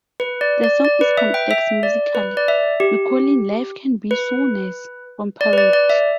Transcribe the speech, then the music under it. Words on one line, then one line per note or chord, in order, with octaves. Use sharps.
The song is complex musically, recalling "Life Can Be So Nice" from "Parade".
B4
D5
D5
D5
B4
E5
G5
E5
D5
B4
D5
E5
G4
B4
D5
B4
D5
D5
E5